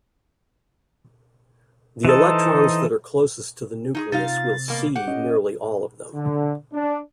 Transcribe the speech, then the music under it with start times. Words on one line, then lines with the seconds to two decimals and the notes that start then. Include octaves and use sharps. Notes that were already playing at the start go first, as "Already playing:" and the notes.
The electrons that are closest to the nucleus will 'see' nearly all of them.
2.05 E3 D#4 A4 C5 D#5
3.95 D#4 F4 G#4
4.12 C3 D#4 F4 F5 A6
4.68 B2 A#3
4.95 G4 F#5
5.07 C#4 D#5
6.14 D3
6.73 D4